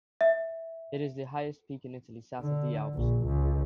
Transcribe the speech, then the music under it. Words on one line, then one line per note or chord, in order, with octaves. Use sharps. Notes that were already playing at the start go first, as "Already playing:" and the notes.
It is the highest peak in Italy south of the Alps.
E5
D3
A#1
C#2